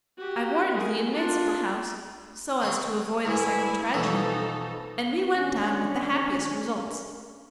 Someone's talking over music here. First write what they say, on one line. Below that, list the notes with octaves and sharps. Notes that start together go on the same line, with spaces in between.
I warned the inmates of the house, so as to avoid a second tragedy, and we went down, with the happiest results.
F#4 G4
G#4 A#4
D4 F4
D#3 C4 C#5
D2 G2 E4 G#5
F2 B2 E3 D#4 A4
C#4 D4